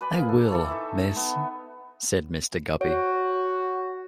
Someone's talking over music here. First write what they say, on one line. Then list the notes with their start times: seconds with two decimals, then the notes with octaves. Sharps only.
"I will, miss," said Mr. Guppy.
0.01 B4 D5 G#5 B5
0.14 A#3 G#4
0.29 A4
0.51 E3 A4 C#6 D6
0.69 D#4 C#5 E5 A5
1.16 B3
2.81 F#4 C#5